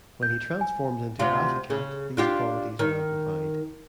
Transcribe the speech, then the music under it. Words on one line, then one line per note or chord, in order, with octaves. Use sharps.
When he transforms into Battle Cat, these qualities are amplified.
G6
G#5
D2 C3 F4
C#3
D4 F4 G4
D#3